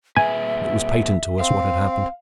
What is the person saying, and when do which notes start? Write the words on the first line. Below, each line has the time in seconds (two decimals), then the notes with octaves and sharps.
It was patent to us what had happened.
0.17 A#2 G#4 B4 E5 G#5
1.39 C4 F5